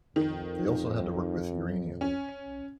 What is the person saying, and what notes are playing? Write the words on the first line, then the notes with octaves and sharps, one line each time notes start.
They also had to work with uranium.
F2 D#3
C#4